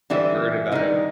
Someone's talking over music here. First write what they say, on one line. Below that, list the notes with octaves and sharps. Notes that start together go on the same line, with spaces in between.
I've heard about it.
D3 E3 G3 E4
D3 D#3 G3 D#4